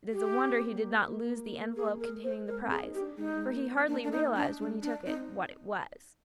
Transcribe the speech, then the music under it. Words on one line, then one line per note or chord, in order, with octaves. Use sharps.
It is a wonder he did not lose the envelope containing the prize, for he hardly realized when he took it what it was.
G4
C4
A#3
A#3
G#4
A#4
C5
G#3 A#4
C4
G#4
D#4
G4
D4
G#3 D#4
G#3
A#3
C4
A#3 D4
D4
D#4
D4
G#3 D4
D4
C4 D#4